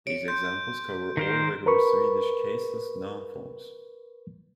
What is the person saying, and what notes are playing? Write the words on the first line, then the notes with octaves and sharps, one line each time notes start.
These examples cover all regular Swedish caseless noun forms.
C#5 D7
C6 G6
D#3 A#4 C5
A#4 B4 B5 C#6